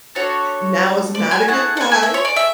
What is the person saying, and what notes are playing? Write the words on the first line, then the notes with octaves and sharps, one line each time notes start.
now is not a good time"
D4 F#4 A4 C#5
D5
G#5
A3 E4 G#4 F#5
F#5
G#5
G#5
E5
C#5
D5
E5